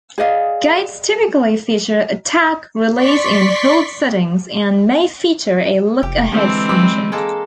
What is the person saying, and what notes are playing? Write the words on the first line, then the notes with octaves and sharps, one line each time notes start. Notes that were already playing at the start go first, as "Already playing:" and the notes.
Gates typically feature 'attack', 'release', and 'hold' settings and may feature a 'look-ahead' function.
G#4 D5 D#5 F5
D5 C6 C#6 B6
F1 G4
D3 E3 G#3 C4
B4
G#3 A#3 A4